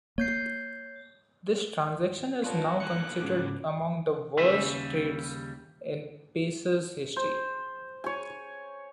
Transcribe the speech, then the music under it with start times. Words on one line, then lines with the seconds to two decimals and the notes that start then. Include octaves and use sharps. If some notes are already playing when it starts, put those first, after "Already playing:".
This transaction is now considered among the worst trades in Pacers' history.
0.18 A#3 C#5 G6 C7
2.44 B3 D4 F4 B4 C#5 A5
2.80 B2 D3 A#3 F#6 C#7
3.21 G#2 C#3 D6
4.37 D#2 C#3 G3 B4 E5
7.16 C5
8.04 C#5 G#5